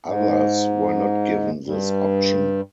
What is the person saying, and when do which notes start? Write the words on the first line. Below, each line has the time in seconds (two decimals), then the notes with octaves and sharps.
Others were not given this option.
0.06 G#2
1.66 G2